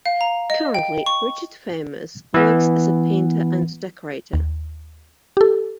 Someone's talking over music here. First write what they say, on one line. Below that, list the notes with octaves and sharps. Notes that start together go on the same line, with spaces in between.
Currently, Richard Famous works as a painter and decorator.
F5
A#5
D#5
G5
C#6
E3 B3
D#2
G4 A4